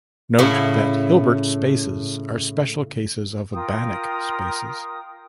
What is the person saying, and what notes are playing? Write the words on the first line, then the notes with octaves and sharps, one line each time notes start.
Note that Hilbert spaces are special cases of Banach spaces.
A2 C#3 E4
F4 A#4 G5 D#6